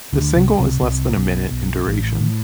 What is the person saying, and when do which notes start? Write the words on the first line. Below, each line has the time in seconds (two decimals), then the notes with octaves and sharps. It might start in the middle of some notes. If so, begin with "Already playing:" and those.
The single is less than a minute in duration.
0.13 D2 D3
0.36 C2 C3
0.53 B2
0.59 C2 C3
0.81 C2 C3
1.16 B1 B2
1.51 B1 B2
1.86 A1 A2
2.20 A2